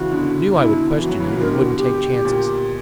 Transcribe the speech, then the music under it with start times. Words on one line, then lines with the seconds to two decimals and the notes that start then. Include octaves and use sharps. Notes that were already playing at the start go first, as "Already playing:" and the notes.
Knew I would question you and wouldn't take chances.
Already playing: C#3 E3 F#4
0.11 B2 D3
0.54 B2 D3 E4
0.97 E3 F#4
1.09 F#3
1.20 C#3 E3
1.39 B2 D3 A#4
1.52 G4
1.64 F#4
1.76 G4
2.25 A#2